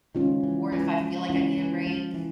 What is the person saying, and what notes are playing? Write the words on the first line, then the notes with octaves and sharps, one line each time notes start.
or if I feel like I need a break,
D#3 G#3 C#4 F4
E3
E3 G#3 C#4 F4
F3
E3 G#3 C#4 F4
E3
F3 G#3 C#4 F4
E3